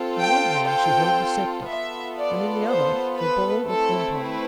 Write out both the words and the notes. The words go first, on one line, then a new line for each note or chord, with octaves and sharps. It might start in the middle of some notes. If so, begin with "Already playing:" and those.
In one hand she held the scepter, and in the other the ball of empire.
Already playing: C4 F4 A4
G5
G5
B3 F4 A4 E5
D5
C5
B4
A3 C4 E4 A4
B4